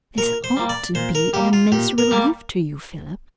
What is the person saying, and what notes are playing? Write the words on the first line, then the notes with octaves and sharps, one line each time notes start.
This ought to be an immense relief to you, Philip.
A#2 A#4
C5
G3 A#3
D5
A#2 C5
A#4
G3 A#3 G4
F4
A#2 G4
A#4
G3 A#3